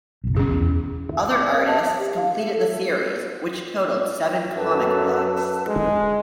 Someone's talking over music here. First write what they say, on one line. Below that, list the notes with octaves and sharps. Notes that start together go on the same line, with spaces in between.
Other artists completed the series, which totaled seven comic books.
F#1 B1
C#4 G#4
E2
E5
D6
D5
A#4
A5
E5
G4
F5
E5
A4
F#2 A4 B4 A5
G#3